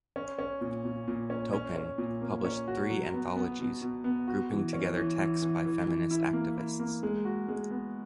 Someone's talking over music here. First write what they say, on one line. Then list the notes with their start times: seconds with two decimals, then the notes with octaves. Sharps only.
Toupin published three anthologies grouping together texts by feminist activists.
0.16 C#4
0.39 C#4
0.61 A#2
0.85 A#2
1.08 A#2
1.30 C#4
1.53 C#4
1.76 C#4
1.98 A#2
2.22 A#3
2.45 C#4
2.68 F#4
2.90 F#3
3.14 B3
3.36 B3
3.59 B2
3.82 B2
4.04 B3
4.28 F#4
4.50 E3
4.73 C#4
4.96 E3
5.19 E3
5.42 E3
5.65 E3
5.88 E3
6.11 E4
6.33 A#3
6.57 E4
6.80 A#3
7.03 G#3
7.25 F#4
7.48 G#3
7.71 B3